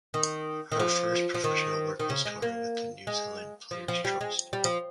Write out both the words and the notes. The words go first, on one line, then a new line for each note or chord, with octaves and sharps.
Her first professional work was touring with the New Zealand Players Trust.
D#3
D#3
F3
F3
D#3
D#3
C#3
G#3
A#3
G#3
F3
F3
G3
G#3
G3
F3